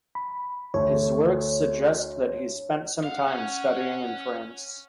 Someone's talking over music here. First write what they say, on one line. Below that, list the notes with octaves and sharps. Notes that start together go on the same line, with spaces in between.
His works suggest that he spent some time studying in France.
B5
D2 A3 C#5
F5 F#5
C#4